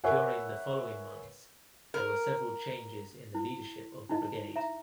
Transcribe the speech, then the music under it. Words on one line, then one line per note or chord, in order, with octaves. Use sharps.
During the following months there were several changes in the leadership of the brigade.
A#4 B4 C#5 E5 F#5 G#5
A#4
E4
D#4 E4 D#5
E5 A#5